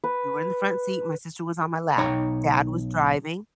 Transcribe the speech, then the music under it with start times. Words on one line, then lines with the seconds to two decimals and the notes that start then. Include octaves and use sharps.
we were in the front seat, my sister was on my lap. Dad was driving,
0.04 B4
1.98 B1 D#4 C#5 G5 A#5